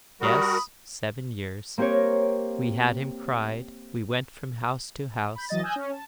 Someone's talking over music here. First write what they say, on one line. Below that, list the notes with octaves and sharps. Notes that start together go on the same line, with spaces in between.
'Yes, seven years: we had him cried--we went from house to house.
G3 F#4 A#4 B5 D#6
A#3 C4 G4 A#4 C#5
B5 G6
E3 F#3 D#5 A6
G#5 D#6 E6 F#6 G6 A#6
C#4
A5